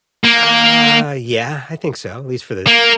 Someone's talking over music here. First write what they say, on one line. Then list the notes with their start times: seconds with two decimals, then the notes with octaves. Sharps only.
Uh, yeah, I think so, at least for the
0.24 A#3
2.67 A#3